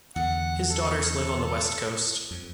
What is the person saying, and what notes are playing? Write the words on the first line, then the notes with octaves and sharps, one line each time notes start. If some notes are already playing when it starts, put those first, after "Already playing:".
His daughters live on the West Coast.
E2 D3 F#5
A4
F2